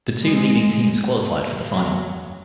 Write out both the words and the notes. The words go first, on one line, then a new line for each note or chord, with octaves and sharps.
The two leading teams qualified for the final.
G#3
F#3